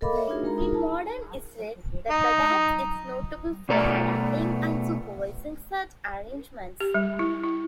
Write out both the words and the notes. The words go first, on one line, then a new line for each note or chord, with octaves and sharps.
In modern Israel, the "badatz" is notable for adapting and supervising such arrangements.
A4 A#4 D#5 F5 B5 D6
C#5 E5
D4 D#4 F4 F#4 G#4 A#4
G#3 A#4 A#5
D#4 F4 G#4 A#4
A5
D#4
B2 A3 D5 A#5
G4
G3
E4
E4